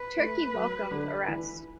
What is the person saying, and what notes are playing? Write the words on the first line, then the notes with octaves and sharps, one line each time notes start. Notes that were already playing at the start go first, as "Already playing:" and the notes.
Turkey welcomed arrests.
Already playing: B4
A3
F#3
D3
E3